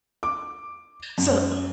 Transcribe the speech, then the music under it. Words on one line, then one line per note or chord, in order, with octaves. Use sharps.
So, oh
D6
F#2